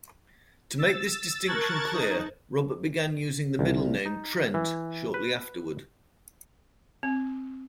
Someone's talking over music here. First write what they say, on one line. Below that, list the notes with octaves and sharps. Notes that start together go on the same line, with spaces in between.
To make this distinction clear, Robert began using the middle name "Trent" shortly afterward.
E6 A6
A#4 A5 C#6 F#6 G#6 A6
D#4
C2
D#4
E3
B4
C4